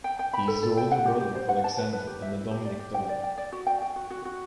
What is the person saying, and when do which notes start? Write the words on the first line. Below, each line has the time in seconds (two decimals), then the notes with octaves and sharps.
He is the older brother of Alexander and Dominique Dunne.
0.04 G5
0.19 G5
0.34 B5
0.48 A4
0.63 A4
0.77 G5
0.92 F#5
1.06 G4
1.21 G4
1.35 C5
1.49 F#5
1.64 A5
1.78 B4
1.93 B4
2.07 G4
2.22 E5
2.36 E4
2.51 G4
2.65 D5
2.79 G4
2.94 G5
3.09 D5
3.24 G5
3.38 D5
3.52 F#4
3.67 G5
3.82 G5
3.96 F#4
4.10 F#4
4.25 F#4